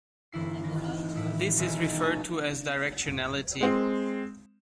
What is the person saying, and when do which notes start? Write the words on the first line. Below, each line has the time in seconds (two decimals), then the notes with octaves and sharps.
This is referred to as directionality.
0.32 G1 E3 E4 C7
0.63 D#3 E3 A#6
1.15 A2 E4
1.57 D#1 B1 G#3 D#4 A#4 E5
2.00 C#4 D#4 G#4 A4
3.61 G#3 C4